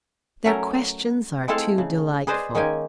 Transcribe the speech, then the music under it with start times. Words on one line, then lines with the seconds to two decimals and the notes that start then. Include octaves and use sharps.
Their questions are too delightful!
0.46 F#3 A3 C#4 A#4 A#5
1.48 G#3 A3 C4 E4 A4 F5
1.78 C#3
2.27 G#4 B4 C5 D5 D#5
2.55 D#3 G#3 A#3 C#4 G5 G#5